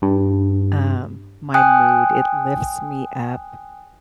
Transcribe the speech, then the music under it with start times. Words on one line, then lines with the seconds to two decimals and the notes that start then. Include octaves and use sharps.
um, my mood. It lifts me up.
0.02 G2
1.54 G5 G#5 D#6 F#6